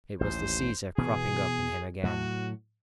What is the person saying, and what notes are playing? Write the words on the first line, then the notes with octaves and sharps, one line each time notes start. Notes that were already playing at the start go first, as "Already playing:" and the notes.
It was the Caesar cropping up in him again.
A1 D#2 C5
B2 E3 B3 G#4
A2 F#3 F#4